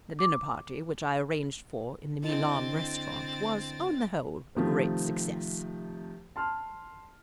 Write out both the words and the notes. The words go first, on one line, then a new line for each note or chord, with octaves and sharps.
The dinner party, which I arranged for in the Milan restaurant, was, on the whole, a great success.
D6
D3 C4 E4 D#5 A6
C3 D#3 F3 A3 C4
A5 C6 F6